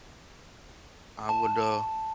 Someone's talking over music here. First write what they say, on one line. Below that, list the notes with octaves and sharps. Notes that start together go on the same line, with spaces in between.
I would, uh,
A5